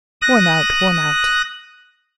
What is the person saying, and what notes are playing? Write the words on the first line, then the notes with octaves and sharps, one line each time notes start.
"Worn out! worn out!"
D#6 F#6 A#6